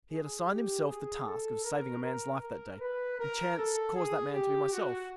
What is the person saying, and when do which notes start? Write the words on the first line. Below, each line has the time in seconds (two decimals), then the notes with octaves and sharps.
He had assigned himself the task of saving a man's life that day; chance caused that man to be myself.
0.11 G#4
0.49 G4
0.87 G#4
1.26 A4
1.64 A#4
2.03 A#4
2.41 A#4
2.80 B4
3.19 A#4
3.56 A4
3.95 G#4
4.33 G4
4.71 F#4